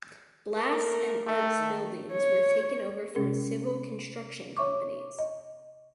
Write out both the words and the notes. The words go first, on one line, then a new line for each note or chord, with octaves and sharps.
Blasts and arts buildings were taken over from civil construction companies.
A3 A#3 A#4
D#3 A3
D#3
C#5
C3 G#3 C#4 G#4 A#4
C#5 E5 C#6 D6
D#5